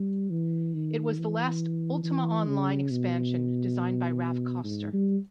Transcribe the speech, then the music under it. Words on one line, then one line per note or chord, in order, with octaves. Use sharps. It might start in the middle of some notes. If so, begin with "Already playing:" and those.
It was the last "Ultima Online" expansion designed by Raph Koster.
Already playing: G3
E3
D#3
E3
E3
C#3
B2
G#2
G3